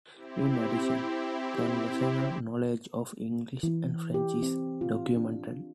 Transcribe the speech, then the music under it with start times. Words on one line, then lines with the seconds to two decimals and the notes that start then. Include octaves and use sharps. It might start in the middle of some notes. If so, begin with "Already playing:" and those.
In addition, conversational knowledge of English and French is documented.
0.15 C4 E4 G4
3.63 E3
4.14 G4
4.42 C4
4.81 F4
5.16 D4